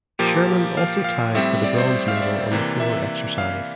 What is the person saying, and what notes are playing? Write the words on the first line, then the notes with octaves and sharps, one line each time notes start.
Schermann also tied for the bronze medal on the floor exercise.
A#2 F3 A#3 G4
F5
F5
A2 G3 C4 E5
D5
C5
F5
E5
D5
C3 E3 A#3
E5
F5